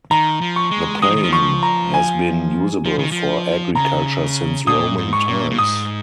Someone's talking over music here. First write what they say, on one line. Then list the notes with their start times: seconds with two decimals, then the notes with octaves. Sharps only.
The plain has been usable for agriculture since Roman times.
0.11 D#3 A#5
0.41 F3
0.56 C#6
0.71 G#3
1.02 G#3 D#6
1.09 F3
1.16 D#3
1.23 F3
1.33 C#6
1.63 A#5
1.94 G#5
2.85 F3
2.98 D#3
3.11 F3
3.75 C#3 A#5
4.67 A#2 D#6
4.98 G#2
5.13 C#6
5.28 A#2
5.50 A#2
5.58 G#2 D#6